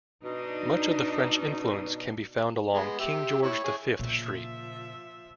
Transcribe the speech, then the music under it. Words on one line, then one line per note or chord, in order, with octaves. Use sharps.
Much of the French influence can be found along King George the Fifth Street.
B2 D4 D#4
G#3 B3
G4 E5
E4 C#5
G#4 C#5
A#2 C#3 F3 E5